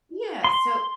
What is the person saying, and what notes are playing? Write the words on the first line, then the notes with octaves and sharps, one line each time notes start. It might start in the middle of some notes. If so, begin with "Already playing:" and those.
yeah, so
C6